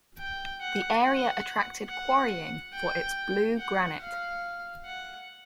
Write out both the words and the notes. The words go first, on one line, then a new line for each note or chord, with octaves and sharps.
The area attracted quarrying for its "blue granite".
G5
F#5
F#5
F#5
G5
F#5
F5
F#5